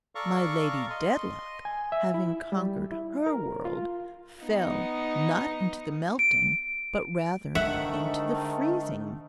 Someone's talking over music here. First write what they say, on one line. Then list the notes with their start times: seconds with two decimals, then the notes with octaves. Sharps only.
My Lady Dedlock, having conquered HER world, fell not into the melting, but rather into the freezing, mood.
0.15 A4 D5 F5 A#5 C#6
0.90 D#5 C6
1.65 G#5
1.92 E5
2.14 E4
2.52 G3
2.92 E4
3.26 A#4
3.65 F4
4.43 B3 D#4
6.19 D7
7.55 G#2 D3 D#3 A3 E5 F#5